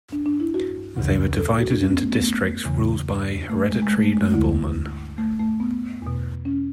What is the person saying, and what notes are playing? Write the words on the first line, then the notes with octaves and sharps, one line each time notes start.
They were divided into districts ruled by hereditary noblemen.
D4
D4
E4
F#4
D2 C#3 E3
A4
F#4
D4
C#4
B3
A3
B3
A3
E2 C#3 E3
A3
G#3
G#3
A3
A3
G#3
A3
D2 D3 E4
A3
A3
B3
E2 B2
C#4